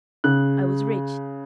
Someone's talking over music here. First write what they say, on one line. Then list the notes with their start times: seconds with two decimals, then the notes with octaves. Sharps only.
I was rich.
0.24 C#3 F#6